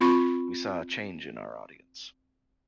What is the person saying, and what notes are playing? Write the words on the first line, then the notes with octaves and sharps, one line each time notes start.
We saw a change in our audience.
C4 F4 B5 C#6